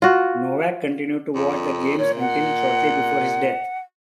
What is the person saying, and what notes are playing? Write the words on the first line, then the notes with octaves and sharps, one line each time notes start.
Nowak continued to watch the games until shortly before his death.
F4 F#4
F2
A#2 C#5
F#5